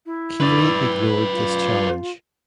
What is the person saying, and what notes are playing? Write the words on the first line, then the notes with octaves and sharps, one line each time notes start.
Keely ignored this challenge.
E4
B4 D5
F4